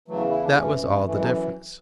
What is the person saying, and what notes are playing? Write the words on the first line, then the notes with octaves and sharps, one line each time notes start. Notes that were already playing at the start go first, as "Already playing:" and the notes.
That was all the difference.
E2 C#3 E3 F#3 A3
E4
D4
F#2 E3 A3 C#4
F#2 E3 A3
G#3
F#3 A3